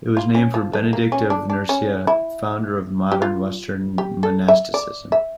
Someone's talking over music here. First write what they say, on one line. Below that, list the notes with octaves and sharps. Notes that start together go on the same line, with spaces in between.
It was named for Benedict of Nursia, founder of modern western monasticism.
F4
C#4
F3
A3
A#3
C#4
D4
D4
C#4
E4
G4
F4
G4
A4
E5
D5
E5